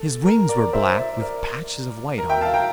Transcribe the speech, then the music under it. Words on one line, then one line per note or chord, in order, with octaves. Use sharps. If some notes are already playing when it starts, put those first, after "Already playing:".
His wings were black with patches of white on them.
Already playing: A4
A#4
A#4 D5
C5 E5
C5 E5
A#4 D5
A#4
E5 G5
F5 A5
G5 A#5